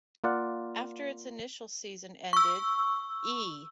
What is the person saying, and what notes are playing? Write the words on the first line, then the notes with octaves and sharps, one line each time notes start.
After its initial season ended, E!
A#3 F4 D5 F#5
C#6 E6